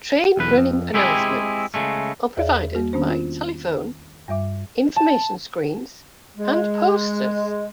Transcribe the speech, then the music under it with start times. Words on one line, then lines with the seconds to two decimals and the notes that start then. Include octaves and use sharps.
Train running announcements are provided by telephone, information screens and posters.
0.37 B1 E2 B4
0.57 F2
0.94 G#3 C4 E4 G4 G#4
1.74 C#3 G#3 A3
2.37 E2 G#4 C#5 D5 E5 F5
2.75 G3 A#3 F#4
2.93 D#3 B3 C#4 D4 C5
3.08 F4
4.28 G2 G3 E5 D6
4.96 A5
6.37 G#3